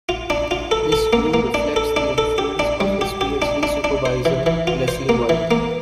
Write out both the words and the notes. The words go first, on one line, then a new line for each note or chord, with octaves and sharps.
This view reflects the influence of his Ph.D supervisor, Leslie White.
F4
D4
F4
A4
A4
A#3
A#3
D4
A4
D4
A4
G4
D4
G3
G4
G4
D4
D4
D4
C5
E3
E3
F4
C5
A#3
E3
A#3